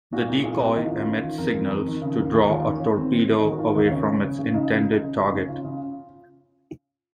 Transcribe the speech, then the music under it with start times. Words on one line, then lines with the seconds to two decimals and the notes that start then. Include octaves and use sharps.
The decoy emits signals to draw a torpedo away from its intended target.
0.13 A#2 F#4
0.28 C2
0.43 A#2 G#4
0.60 C2 F#4
0.75 D#3 D#4
0.86 F4
0.91 C#2
0.97 F4
1.07 D#3 C#4
1.23 D#3 F4
1.38 F2 A#4
1.54 F2
1.70 F2
1.86 D#3
2.01 C#3
2.17 D#2
2.33 D#2 G#4
2.49 D#2 F4
2.65 D#3 C#4
2.80 D#3 C#4
2.96 D#3 C4
3.12 D#3
3.28 D#3 C#4
3.39 D#4
3.43 D#3 G#4
3.49 F#4
3.59 D#3 F4
3.75 D#2 D#4
3.91 C#3 C#4
4.07 C#3
4.23 C#3
4.38 C#3
4.54 C#3 D#4
4.69 C#2
4.86 C#3
5.02 C#3
5.17 C#3 F#4
5.28 D#4
5.33 C#3
5.38 C#4
5.49 C#3 F4
5.64 C#3